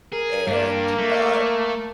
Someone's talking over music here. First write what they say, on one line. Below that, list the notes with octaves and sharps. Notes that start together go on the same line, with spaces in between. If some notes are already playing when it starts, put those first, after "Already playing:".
and, uh,
G#4 A#4
G2 A#3 D4
A3